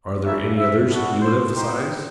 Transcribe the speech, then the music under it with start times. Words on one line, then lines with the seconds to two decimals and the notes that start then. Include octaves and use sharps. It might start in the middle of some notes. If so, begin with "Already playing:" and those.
Are there any others you would emphasize?
0.23 A#3 C#4 E4 E5
0.56 E5
0.89 B3 D4 F#4
1.22 C5
1.55 B3 D#4 G4 C5